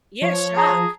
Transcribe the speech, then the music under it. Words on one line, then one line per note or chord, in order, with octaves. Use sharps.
Yeah, shocked,
F3 C#5
G#4 A5 A#5